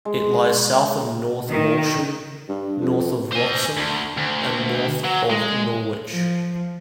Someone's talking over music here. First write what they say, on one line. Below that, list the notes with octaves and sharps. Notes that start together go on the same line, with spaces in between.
It lies south of North Walsham, north of Wroxham, and north of Norwich.
G#3
D#3
G2
F2
C5 G#5
D2
D2
F#3
G#3
F3